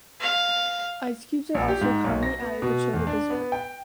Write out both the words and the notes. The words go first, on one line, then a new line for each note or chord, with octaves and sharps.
Ice cubes are also commonly added to chill the dessert.
F5
A#1
G4
G#2
B1
A#6
B3
B2
E2
D4
B3
G5